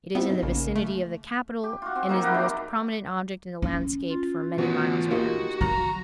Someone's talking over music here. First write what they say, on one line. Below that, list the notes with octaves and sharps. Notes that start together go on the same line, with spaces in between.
It is in the vicinity of the capital, and is the most prominent object in the landscape for many miles around.
B3 C4 E4 G4
D#4
A#1 C#3 A#3
A3
G4
F4 F#4
C4
A#3 D#4 G#4
E4 G4 A#4 F#5
D#3 E3 F#3 D5
C#4
F4
E3 B3 F#4 C#5
A#3 D#4 F#4 G4
F#3 A#5